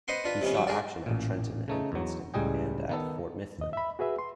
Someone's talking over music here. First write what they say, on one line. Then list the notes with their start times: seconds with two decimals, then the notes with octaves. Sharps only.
He saw action at Trenton and Princeton, and at Fort Mifflin.
0.08 B4 C5 D#5 F#5 C6
0.24 D4 F4 B4
0.41 C3 D#3 B3 C#4
0.55 F#3 C#4
0.67 D4 G#4 A#4 D5
1.06 A1 A#2
1.68 C#3 A3 D#4
1.92 E2 F#3
2.34 C#2 A2 G3 G#4 D#5 G5
2.89 D#3 B3 A4
3.58 D#2 D#5
3.73 E5 B5
3.99 F#4 G#4 B4 E5
4.19 C6